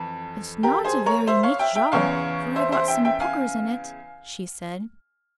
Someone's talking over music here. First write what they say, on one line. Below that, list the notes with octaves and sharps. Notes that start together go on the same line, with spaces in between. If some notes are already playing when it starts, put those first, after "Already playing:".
"It's not a very neat job, for I got some puckers in it!" she said.
Already playing: F2 E3
G4 A#4
G#4 C5
A#4 C#5
C5 E5
C#5 F5
E5 G5
E5 G5
E2 C#3 E3 C#5 F5
C5 E5
C5 E5
E5 G5
E5 G5
F5 G#5